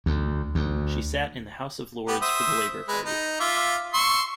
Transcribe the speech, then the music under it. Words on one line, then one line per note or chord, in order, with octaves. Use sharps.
She sat in the House of Lords for the Labour Party.
D2
D2
B3 G4
C5 E5 D#6
G#3 B4
D#4
F4 E5 D6
C6 C#6 E6